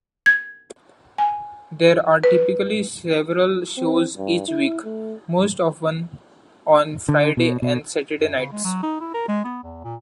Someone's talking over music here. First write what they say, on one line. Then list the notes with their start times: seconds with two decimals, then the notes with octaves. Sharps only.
There are typically several shows each week, most often on Friday and Saturday nights.
0.26 G#6
1.18 G#5
2.24 B4
3.77 C4
4.17 G2
4.48 E4
4.84 A3
7.09 D3
7.37 B2
7.62 B2
8.20 F#2
8.37 C#3
8.52 G#3
8.64 F#3
8.83 D#4
9.00 E4
9.14 A#4
9.28 G#3
9.44 B3
9.64 E2
9.84 A#2